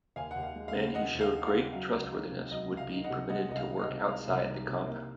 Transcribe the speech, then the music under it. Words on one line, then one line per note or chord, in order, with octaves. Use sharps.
Men who showed great trustworthiness would be permitted to work outside the compound.
D#2 F5 G#5
D#2 F#5
F5
G#3
F5
C#3
D#2 D#5 F#5
D#2
F5
G#3
F5
C#3
F#3 F5
C#2
D#3
C3
F#3 D#5
C#2
F5
D#3
D#5 F#5
C3
G#3 D#5 F#5
C2 D#5
F5
D#3
D#5
C3
D#5
G#3 F5
C2
D#3
C3
A#3